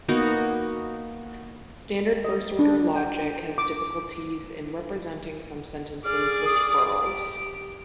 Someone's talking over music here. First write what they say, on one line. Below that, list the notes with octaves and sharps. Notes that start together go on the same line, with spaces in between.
Standard first order logic has difficulties in representing some sentences with plurals.
A#3 B3 D#4 F#4
D#5
D4
G5
D6
G#4 D5 F6
D#6
G4 D7